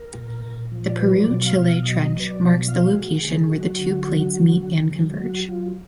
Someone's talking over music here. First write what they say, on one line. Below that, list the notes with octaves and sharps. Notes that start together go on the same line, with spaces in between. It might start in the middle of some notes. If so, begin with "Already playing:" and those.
The Peru–Chile trench marks the location where the two plates meet and converge.
Already playing: A#4
A#2
A#2
F3
D5
F#3 B4
D5
B2
F5
B2
F5
F#3 D#5
F#3
B4
D5
B2
F3 F5
G#4
G#3 F#4
D3 G#4
G#4
F#3 F#4
D3
F#3
D3
D3
F#3
F#3 F#4
F#3 F4